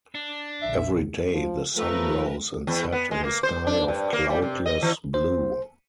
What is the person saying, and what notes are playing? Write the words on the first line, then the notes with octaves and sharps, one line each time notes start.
Every day the sun rose and set in a sky of cloudless blue.
D4
A#1 D3 E5
F3
F3 A3 A#4 B4
E2
B3
G#3
A#3
C5
D4
G2
A#3
G3
C3
D#5
E3
C5